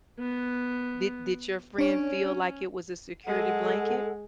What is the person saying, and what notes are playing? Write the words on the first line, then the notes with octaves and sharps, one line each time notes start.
Did did your friend feel like it was a security blanket?
B3
C#4 D4 C#5
G#3 A4 F#5